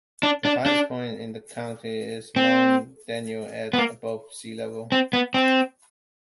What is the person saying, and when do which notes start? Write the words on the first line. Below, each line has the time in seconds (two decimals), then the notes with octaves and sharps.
The highest point in the county is Mount Daniel at above sea level.
0.23 D4
0.45 D4
0.66 D4
2.36 C4
3.73 B3
3.78 A#3
4.92 C4
5.13 B3
5.34 C4